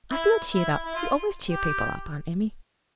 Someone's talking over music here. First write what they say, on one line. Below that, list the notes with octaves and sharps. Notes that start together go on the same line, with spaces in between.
I feel cheered up--you always cheer people up, Aunt Emmy.
E4
E4
E4
F4
G4